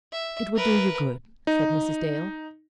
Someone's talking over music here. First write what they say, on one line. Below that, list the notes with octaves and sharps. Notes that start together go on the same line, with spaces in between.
"It would do you good," said Mrs. Dale.
E5
A#4 B4
D#4